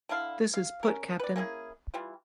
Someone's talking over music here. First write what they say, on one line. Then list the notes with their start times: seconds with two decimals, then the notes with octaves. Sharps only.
This put Cpt.
0.09 D3 D4 E4 F5
0.54 F5
0.83 C#4 A#4
1.19 B4 D5
1.36 A#3 C#4 E4 G#4
1.94 E3 G3 F4